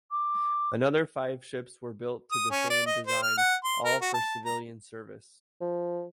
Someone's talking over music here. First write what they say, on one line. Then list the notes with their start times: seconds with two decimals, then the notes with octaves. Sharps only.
Another five ships were built to the same design, all for civilian service.
0.11 D6
2.32 D#6
2.51 C#4
2.70 D5
2.86 D#5
3.07 C5
3.23 F6
3.37 F#5
3.64 C6
3.85 A#4
4.01 F#4
4.14 A5
4.45 A#5
5.61 F3